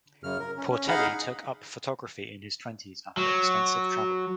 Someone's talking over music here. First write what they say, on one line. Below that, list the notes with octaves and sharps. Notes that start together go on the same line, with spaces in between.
Portelli took up photography in his twenties after extensive travelling.
F#2 C#3 F6
A#4
C#4
C#4
D#4 G#4 D#5 F5 F#5 B5
F#3